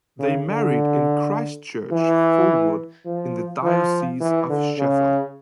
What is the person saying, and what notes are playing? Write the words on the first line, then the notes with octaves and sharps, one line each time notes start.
They married in Christchurch, Fulwood in the Diocese of Sheffield.
C#3
D3
E3
F3
F3
E3
D3
C#3